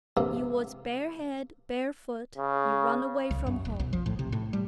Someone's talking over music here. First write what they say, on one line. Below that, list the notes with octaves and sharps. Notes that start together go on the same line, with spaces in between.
You was barehead, barefoot; you run away from home.
A#1 G2 C3 F3 A#3 C4
C#3
C2
F#2
D#1
B1
F3
A2
C3
A2
G3